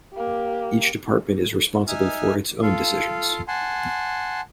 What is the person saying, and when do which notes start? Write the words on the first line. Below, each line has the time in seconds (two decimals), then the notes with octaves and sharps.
Each department is responsible for its own decisions.
0.14 A#3 G4
1.88 D#4 E5 G#5 D#6 F6
2.62 F4 A4 F5
3.48 F#5 G#5 A5 C6